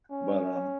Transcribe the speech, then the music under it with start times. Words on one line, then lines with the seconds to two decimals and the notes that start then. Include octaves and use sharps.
But, um
0.11 C#4